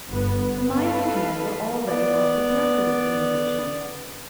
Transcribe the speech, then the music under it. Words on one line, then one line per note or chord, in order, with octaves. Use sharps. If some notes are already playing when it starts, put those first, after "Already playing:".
The minds of men were already well prepared for this innovation.
G1 B3
A4 B4 F5
B3 D5